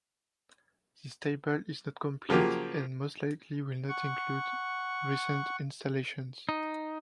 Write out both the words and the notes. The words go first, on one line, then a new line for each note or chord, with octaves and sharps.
This table is not complete and most likely will not include recent installations.
C#3 F3 F#3 A#3 G4
F#5 C#6
D#4